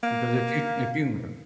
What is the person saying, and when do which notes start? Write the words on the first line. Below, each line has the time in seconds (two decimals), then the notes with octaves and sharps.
because if you if you, uh
0.03 A#3